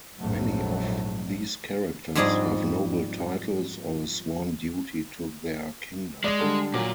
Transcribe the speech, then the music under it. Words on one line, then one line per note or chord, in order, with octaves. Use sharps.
Many of these characters have noble titles, or a sworn duty to their kingdom.
A#1 F2 G#2 F#3 A3
F2 G#2 G3 G#4 D5 D#5
G#3 D5
D3 G3 A4
A#2 F#3 D6